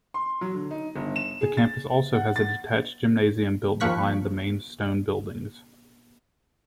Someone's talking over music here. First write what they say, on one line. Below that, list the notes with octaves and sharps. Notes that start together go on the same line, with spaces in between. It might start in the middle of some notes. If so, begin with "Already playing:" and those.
The campus also has a detached gymnasium built behind the main stone buildings.
C6
F#3
D3
D#4
G1
E7
G#4
A6
F#5
A6
D#2 F3 A#3 C#6 F#6 B6